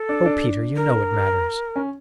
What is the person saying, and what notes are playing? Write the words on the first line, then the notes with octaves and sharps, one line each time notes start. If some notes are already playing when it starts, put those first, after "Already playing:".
"O Peter, you know it matters."
Already playing: A4
D4
D4
A#4
C#4